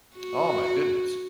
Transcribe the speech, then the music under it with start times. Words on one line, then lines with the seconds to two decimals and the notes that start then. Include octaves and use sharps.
Oh my goodness.
0.17 F#4